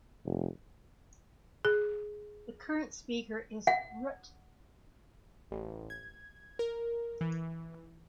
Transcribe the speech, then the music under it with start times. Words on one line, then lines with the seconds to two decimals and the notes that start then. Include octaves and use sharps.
The current Speaker is Rt.
0.25 F1
1.65 G#4
3.67 F#5
5.51 A1
5.90 G#6
6.59 A#4
7.21 E3